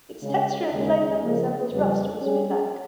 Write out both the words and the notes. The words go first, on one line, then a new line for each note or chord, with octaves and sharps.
Its texture and flavour resembles rusk or zwieback.
C#3 G#3 C#4 G#4
D#2 C#3 G#3 C#4
C#3 F3 A#3
F2 C#3 G3
G3 C#4 G#4